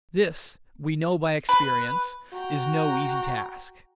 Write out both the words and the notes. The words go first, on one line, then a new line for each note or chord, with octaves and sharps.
This, we know by experience, is no easy task.
B4
F#4 G5 A#5